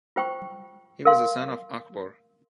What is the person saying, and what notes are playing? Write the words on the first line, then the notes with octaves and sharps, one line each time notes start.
He was the son of Achbor.
F4 C5 G5 C#6
A#4 F5 C6